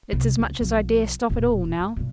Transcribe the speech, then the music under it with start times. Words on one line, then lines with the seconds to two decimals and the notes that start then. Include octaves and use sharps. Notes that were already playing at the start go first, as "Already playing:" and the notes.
It's as much as I dare stop at all now.'
0.13 C2
0.39 C#2
0.60 B1 F3
1.30 E1 A#2
1.80 G2
1.96 G2 B2